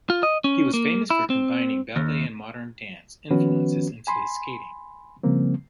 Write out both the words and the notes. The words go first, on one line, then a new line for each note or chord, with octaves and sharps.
He was famous for combining ballet and modern dance influences into his skating.
F4
D#5
C#4
A#3
E4
C4
D#2
D#3 F3 B3 C#4 F#4 B4
G#5 B5 C6
C#3 F3 G3 A#3 C4